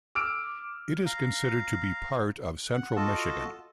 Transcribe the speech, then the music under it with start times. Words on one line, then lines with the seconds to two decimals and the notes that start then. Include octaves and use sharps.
It is considered to be part of Central Michigan.
0.15 D6 E6 F6 D7
1.06 F5 A#5
2.73 F#5
2.96 F4 F#4 A4 D#5 A5